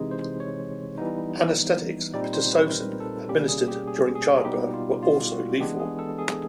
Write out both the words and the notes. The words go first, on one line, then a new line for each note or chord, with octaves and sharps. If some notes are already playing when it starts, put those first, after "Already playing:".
Anesthetics and pitocin administered during childbirth were also lethal.
Already playing: C3 E3 G#3 C4 D#4
C5
C#5
E3 G3 B3 D#4
A#2 G3 C4 D#4 D5
C5
B4
A#4
A4
B2 G3 A#3 C#4 G4
G#4
G4
G#4
G#4
B2 G3 B3 D#4 G4
F4
F4
F#4
E3 G#3 B3 D4 G4
G#4
A4
G#4